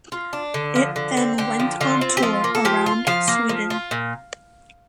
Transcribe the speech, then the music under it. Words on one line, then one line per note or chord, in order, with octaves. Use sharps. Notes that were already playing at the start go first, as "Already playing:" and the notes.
It then went on tour around Sweden.
F4
D4
D3
F3
D3
C4
D3 G4
F3
D3 F4
C4
G4
F3 F4
A#3
A4
F3 G4
F4
F3 F5
A#3
F3
F4
A#2